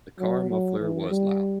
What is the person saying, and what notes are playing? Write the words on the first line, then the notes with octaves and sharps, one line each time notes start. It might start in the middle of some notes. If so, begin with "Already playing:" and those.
The car muffler was loud.
F#3
F#3
E3
G3